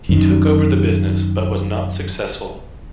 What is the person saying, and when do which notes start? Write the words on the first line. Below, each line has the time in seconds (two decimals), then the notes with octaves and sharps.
He took over the business but was not successful.
0.09 F#2 D#3